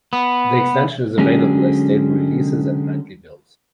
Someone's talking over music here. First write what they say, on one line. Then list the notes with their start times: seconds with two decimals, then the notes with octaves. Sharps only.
The extension is available as stable releases and nightly builds.
0.13 B3
1.17 D3 F#3 G#3 C#4 G4 G#4